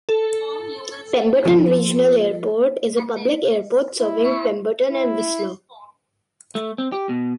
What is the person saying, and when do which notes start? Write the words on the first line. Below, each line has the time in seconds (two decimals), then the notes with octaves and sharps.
Pemberton Regional Airport is a public airport serving Pemberton and Whistler.
0.09 A4
1.46 F3
4.00 E4
4.90 E4
6.55 A3
6.78 C4
6.92 G4
7.09 B2